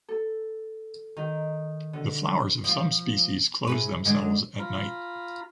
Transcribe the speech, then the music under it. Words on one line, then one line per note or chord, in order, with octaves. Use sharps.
The flowers of some species close themselves at night.
A4
D#3
D3
F3 F4
C3 G#4 B4
D3 G#3 D4
F4 A#5 B5